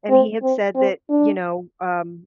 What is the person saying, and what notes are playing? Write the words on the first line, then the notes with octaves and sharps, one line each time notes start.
and he had said that you know, um,
C4
C4
C4
D4